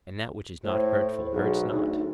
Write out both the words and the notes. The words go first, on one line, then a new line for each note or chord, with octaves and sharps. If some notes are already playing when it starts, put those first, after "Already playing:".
And that which is not hurtful hurts not?
A2 C5
B1 G#4
D2 D#4